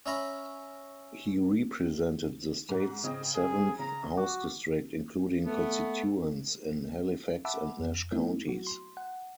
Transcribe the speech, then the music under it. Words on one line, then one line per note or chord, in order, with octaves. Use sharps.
He represented the state's seventh House district, including constituents in Halifax and Nash counties.
C#4 E5 A#5 B5
G#2 F#5
C#3 C4 D#5 G5
G#4
C#3 A#5
F#4 D6
A3 B3
E5 F#5 A5 B5 D6 E6
F2
A3 B3 C4 D#4 E4
F#3 F#4
C6
F#5